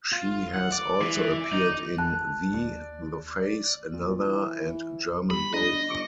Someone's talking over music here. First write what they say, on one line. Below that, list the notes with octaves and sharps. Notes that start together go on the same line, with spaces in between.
She has also appeared in V, The Face, Another, and German Vogue.
F4
F#5
D5
E3
D#4
A5 F#6
D#2 D5
D5
A#2
E3
G1 G3 B5
D4 D#5
G1 C#6 D6